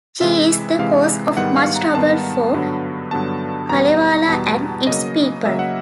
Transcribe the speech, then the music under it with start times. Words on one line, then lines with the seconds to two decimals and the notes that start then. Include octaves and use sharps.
She is the cause of much trouble for Kalevala and its people.
0.21 C3 E3 G#3 E5
0.79 C3 E3 G#3 F5
1.37 G#2 D#3 G3 B3 F#5
1.56 F5
1.76 A#5
1.95 G#2 D#3 G3 B3 A5
2.54 G2 D3 F#3 B3
3.11 G2 D3 F#3 B3 A5
3.69 E2 B2 G3 B3 A#5
4.28 E2 B2 G3 B3 A5
4.87 C#3 F#3 A#3 D#5
5.45 C#3 F#3 A#3 E5
5.59 F#5